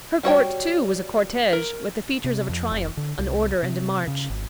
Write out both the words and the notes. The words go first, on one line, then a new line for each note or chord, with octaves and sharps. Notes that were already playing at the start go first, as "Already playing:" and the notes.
Her court, too, was a cortege, with the features of a triumph, an order and a march.
G3 F#4 C#5 G5
A#4
C3
F2
F1
D3
C2
C3
C#3
G#1